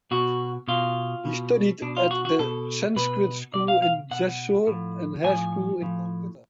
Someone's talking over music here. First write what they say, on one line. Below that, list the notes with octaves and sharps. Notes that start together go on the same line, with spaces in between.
He studied at the Sanskrit school in Jessore and Hare School in Calcutta.
B2 F#4
B2 F4
B2
B2 D4
F4
F#4
F#4
B2 A4
B2 B4
B2 D5
F5
F5
B2 F#5
A2 F3
A2 F3 G#5
A2 F3